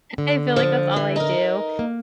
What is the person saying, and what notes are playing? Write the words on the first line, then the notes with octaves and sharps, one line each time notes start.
I feel like that's all I do.
D3
F3
E3
D#4 A#4
A#3